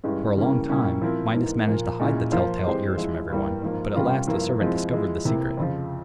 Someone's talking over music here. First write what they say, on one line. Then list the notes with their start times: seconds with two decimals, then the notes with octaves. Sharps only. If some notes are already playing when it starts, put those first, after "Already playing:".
For a long time Midas managed to hide the tell-tale ears from everyone; but at last a servant discovered the secret.
0.04 G2 E3 G#3 C#4 G4
0.37 C#3 E3 G3 A#3 C#4
0.69 A#2 G3 A#3 C#4 E4
1.02 F3 C4 E4 A#4
1.34 G#2 E3 A#3
1.67 A#2 F3 A#3
1.99 A#2 G#3 C#4 E4
2.32 F3 A#3 F4 C5
2.64 E3 G#3 C4 G4 C5
2.97 F3 G#3 E4
3.30 G2 E3 G3 A#3
3.62 G#2 F3 A#3
3.94 C3 G3 C#4 F4 A#4
4.27 G2 F3 A#3 E4
4.60 F3 G#3 C4 E4
4.92 F3 G#3 E4
5.25 C3 E3 A#3 E4
5.57 F2 C#3 F3